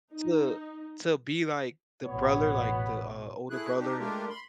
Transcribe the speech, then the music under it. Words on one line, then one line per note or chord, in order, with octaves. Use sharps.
to to be, like, the brother, like, the, uh, older brother
D#4
A1 E2 B2 B3 C#5
A3 E4 G#4 F#6
D4 D#4 G4
G#3 A3 D4 F4 G4 A#4
B5 C6